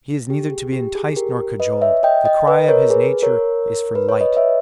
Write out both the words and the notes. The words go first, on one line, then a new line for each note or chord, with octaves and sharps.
He is neither to be enticed nor cajoled. The cry of his nature is for light.
G4
G#4
G4
G#4
G4 A#4
B4 D#5
C#5 E5
D#5 G5
D#5 G5
B4 D#5
A#4 C#5
G#4 B4
A#4 C#5
B4
C#5
B4 D#5
C#5 E5